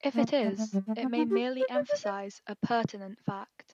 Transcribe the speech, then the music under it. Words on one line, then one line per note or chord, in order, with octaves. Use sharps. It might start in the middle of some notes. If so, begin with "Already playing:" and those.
If it is, it may merely emphasize a pertinent fact.
A#3
A3
A3
G3
A3
C4
D#4
G4
C5
D5
D5
D#5